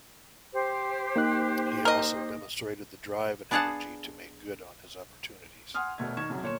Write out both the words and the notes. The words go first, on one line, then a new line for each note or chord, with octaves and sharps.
He also demonstrated the drive and energy to make good on his opportunities.
G4 C5
A#3 D#4 F#6
A#4 D#5
B3 D4 G#4 F5 F#5 A5
F#5 G#5 C6 D#6 F6
E1 B2 A3 G#6
D#3 C#6 G#6 E7
C2 F#2 C#3 F#3
G1 A#2 C#5 C#6 E7